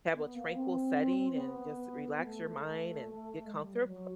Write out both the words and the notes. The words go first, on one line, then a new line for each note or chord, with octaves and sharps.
have a tranquil setting and just relax your mind and get comfortable.
B3
A#3
C4
C4
B3
A3
A3
G#3
G3
F#3
F#3